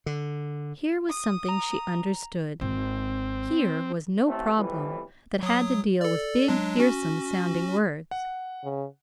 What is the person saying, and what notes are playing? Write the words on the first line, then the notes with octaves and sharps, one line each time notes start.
Here was something she understood. Here was no problem that had to deal with big, fearsome-sounding words.
D3
D#6
A#5
G#1 C4
A1 A3 C4
B1 F2 A2 E3 G3 B4
F#3 D#6
A4 D5
F#3 G#3 D4
C#4 F#4
F#5
C#3